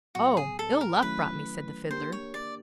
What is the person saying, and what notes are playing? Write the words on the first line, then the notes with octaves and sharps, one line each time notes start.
"Oh, Ill-Luck brought me," said the Fiddler.
A2 F#3 B3 F#4
G#4
A4
A#4
D#3 F#3 A3 C#4 E4 B4
A#3 D4 G4 A#4 C5
C#5
D5